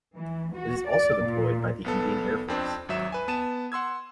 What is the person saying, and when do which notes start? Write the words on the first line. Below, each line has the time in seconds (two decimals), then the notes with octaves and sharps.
It is also deployed by the Indian Air Force.
0.16 E3
0.54 F#4
0.87 D5
1.21 A#2
1.84 B1 B3 A4
2.48 F2 C4 D4
2.89 G#1 F#3 E5 E7
3.12 B4 G#5
3.28 B3 A5 D#7 E7
3.72 F#5 C6 E6 G#6